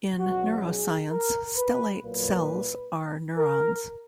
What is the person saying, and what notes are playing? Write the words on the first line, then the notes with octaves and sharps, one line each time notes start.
In neuroscience, stellate cells are neurons.
C#2 B2 F#3 F#4
G#4
A#4
B4
B1 A#2 F#3 A#3 B4
A#4